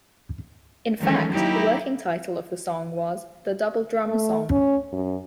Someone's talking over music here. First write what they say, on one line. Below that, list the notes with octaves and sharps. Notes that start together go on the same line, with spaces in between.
In fact, the working title of the song was "The Double Drum Song".
D#3 E3 F#3 G#3 A3 C#4
F#3 A#3 D#4 E4 G4
A3
C#4
F#2